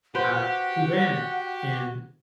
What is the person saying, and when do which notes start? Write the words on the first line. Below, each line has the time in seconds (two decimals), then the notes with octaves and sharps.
uh, he ran it, and
0.15 F#4 G4 B4 C5 F#5